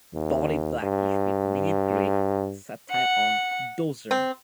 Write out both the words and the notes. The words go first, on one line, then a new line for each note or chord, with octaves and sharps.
Body blackish with minute grey setae on dorsum.
D#2
G2
F#5
C4